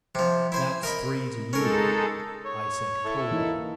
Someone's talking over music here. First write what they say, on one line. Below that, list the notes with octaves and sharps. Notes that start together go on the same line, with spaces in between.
"That's three to you," I said coldly.
C3 F3
E4 C5 G#5
A#4 D#5 B5
G#3 C#4 D#4 A4 A#4
C#5
E4 A4
E3 A#3 D#4